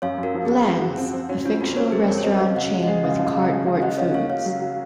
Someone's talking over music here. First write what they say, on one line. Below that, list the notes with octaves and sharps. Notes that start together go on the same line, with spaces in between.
Bland's, a fictional restaurant chain with cardboard foods.
F#2 C#5 F5
F#2
F#4 A#4
F3
F#4 G#4
C4
F#4
C4
C4
C#4 F#4
C#4 F4
F2 F#4
C5
C#4 A#4 C#5
F#3 G#4 C5
F2 A#4 C#5
C#5
C#4 C5 D#5
F#3 C#5 F5
C#3 F#5
G#3
G#3 D#5 F#5
C#3
F3
C#3
G#3
C#3
F#4 D#5 F#5
C#4 C#5 F5
A#3 C#5 F5
C#4 C#5 F5
F#3
F#4